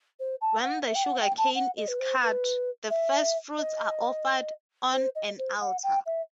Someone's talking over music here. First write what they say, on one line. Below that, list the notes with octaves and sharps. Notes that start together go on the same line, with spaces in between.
When the sugarcane is cut, the first-fruits are offered on an altar.
C5
A5
F#5
E5
G5
F#5
G5
A5
F#5
D#5
B4
C5
B4
E5
D#5
C5
D#5
C5
F#5
G5
E5